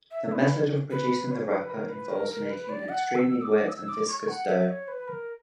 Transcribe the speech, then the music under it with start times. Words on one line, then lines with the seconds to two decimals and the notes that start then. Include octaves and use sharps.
The method of producing the wrapper involves making an extremely wet and viscous dough.
0.11 E5
0.32 B4
0.91 B4
1.31 C#5
1.50 B4
1.70 A#4
1.89 B4
2.10 A#4
2.30 A#4
2.50 B4
2.69 D5
2.89 F#5
3.15 E6
3.42 D6
3.69 E6
3.88 D6
4.08 C#6
4.28 F#5
4.48 E5
4.68 C#5
4.88 B4
5.08 A#4